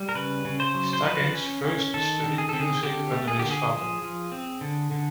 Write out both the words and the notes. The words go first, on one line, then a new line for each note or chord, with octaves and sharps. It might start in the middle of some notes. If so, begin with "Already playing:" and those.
Staggins first studied music under his father.
Already playing: G3
A#4
C#3 B4
C#3
C5
F#3
C5
F3 B4
C#4
C#4
D#3 A4
D#3
G#4
C4 A4
G#4
D3 G4
A3
G#4
D3 G4
G#4
F3
F3
C4
D3
D3